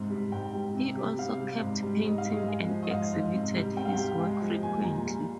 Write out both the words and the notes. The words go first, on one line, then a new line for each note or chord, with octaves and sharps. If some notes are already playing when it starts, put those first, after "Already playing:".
He also kept painting and exhibited his work frequently.
Already playing: G#2 C3
G3
G#2 G5
G3
C3
G3
C3 F5
G3
G#2
G3
G#2 D#5
F5
G3
D#5
G#3
F3
D#5
G#2 F5
G#2
C3
G3
C3 G5
F5
G5
G3
G#3
F3
A#2 G#5
G#5
A#2 A#5
G3